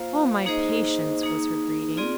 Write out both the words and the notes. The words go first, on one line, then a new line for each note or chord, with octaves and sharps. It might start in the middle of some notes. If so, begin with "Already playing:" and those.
"O, my patience!" was her greeting.
Already playing: A#3 F4 C5 F5
A#3 D#4 G#4 C5 D#5
A#3 D#4 G#4
C4 F4 G#4 D5